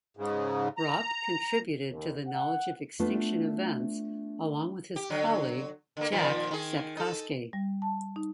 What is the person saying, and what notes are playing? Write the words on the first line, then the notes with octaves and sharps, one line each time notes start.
Raup contributed to the knowledge of extinction events along with his colleague Jack Sepkoski.
G#2 C#3
A#5
D#2
F#5
A3 B3 D4 F4
G4
D3 F#3
D3 A#3
A#2 D#3 F3
D#3 G#4
D#4 A4
G3
A5
D#4